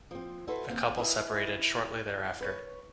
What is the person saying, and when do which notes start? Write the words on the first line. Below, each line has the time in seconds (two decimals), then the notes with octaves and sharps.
The couple separated shortly thereafter.
0.11 F3 C4
0.47 E4 F#4 A4 B4 C5
0.68 D#2 C3 C4 F5
0.96 E4 B4 D#5 G#5
2.41 B4 C#5